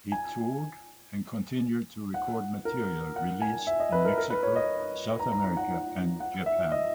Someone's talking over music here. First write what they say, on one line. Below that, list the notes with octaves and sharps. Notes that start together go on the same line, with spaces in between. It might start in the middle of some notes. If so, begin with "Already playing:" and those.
He toured and continued to record material released in Mexico, South America, and Japan.
G#5
F#5
A#4
F#5
G#5
E5
D#5
B4
A#4
A#4
B4
C#5
D#5
A#5
A#5
A#5
F#5
F#5
E5
D#5